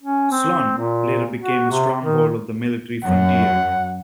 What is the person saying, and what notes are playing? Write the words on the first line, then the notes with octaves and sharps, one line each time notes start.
Slunj later became a stronghold of the Military Frontier.
C#4
C4
A#2
F#4
C3
D#3
F#2 F#5